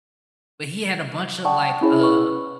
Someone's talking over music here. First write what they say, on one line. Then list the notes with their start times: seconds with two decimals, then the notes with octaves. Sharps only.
but he had a bunch of, like, uh
1.45 D5 F#5 G5 A5 C#6 D#6
1.81 C#4 E4 G#4 C#5
2.00 B4 C#6